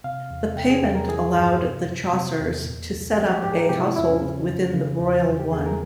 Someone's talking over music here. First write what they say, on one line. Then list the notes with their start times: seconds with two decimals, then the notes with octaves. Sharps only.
This payment allowed the Chaucers to set up a household within the royal one.
0.04 C3 F5
0.31 E2
0.56 C3 G5
0.70 G#4
0.82 E2 G4
0.95 A#4
1.08 E3 G#4
1.34 G2 F4
1.61 C3
1.86 F2
2.13 C3
2.39 E2
2.65 A#2
2.92 C2
3.17 F3 G4
3.31 G4
3.44 G#2 G4
3.52 G#4
3.57 A#4
3.69 C3 G4
3.77 E4
3.83 F4
3.96 E2 E4
4.09 C#4
4.22 C#3
4.49 F2
4.74 C#3
5.00 E2
5.27 E3
5.39 G4
5.53 E2 G#4
5.66 A#4